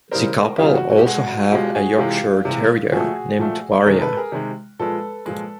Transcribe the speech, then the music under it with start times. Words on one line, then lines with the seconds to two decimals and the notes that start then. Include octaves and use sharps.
The couple also have a Yorkshire Terrier named Varia.
0.11 C#3 E3 G3 A#4 C5
0.58 C#3 E3 G3 F4 G4
0.74 F#4
0.90 F#4
0.98 G4
1.05 B2 G#3 F#4
1.51 B2 G#3 F4 G4
1.75 F#4 G#4
1.98 C3 E3 G#3 F4 G4
2.45 C3 E3 G#3
2.92 A#2 F3 A3 F#4 G#4
3.39 A#2 F3 A3
3.86 C3 D#3 G#3 G#4 A#4
4.01 A4 B4
4.17 G#4 A#4
4.32 C3 D#3 G#3
4.79 A#2 F3 G#3 A4 B4
5.26 A#2 F3 G#3